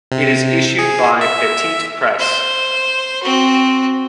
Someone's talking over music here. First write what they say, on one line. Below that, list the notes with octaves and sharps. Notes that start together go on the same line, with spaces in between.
It is issued by Petit Press.
C3
G#4
E5
C5
C4 F#4